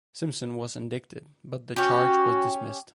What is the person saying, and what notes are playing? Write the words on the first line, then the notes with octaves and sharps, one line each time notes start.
Simpson was indicted but the charge was dismissed.
C#4 F#4 G4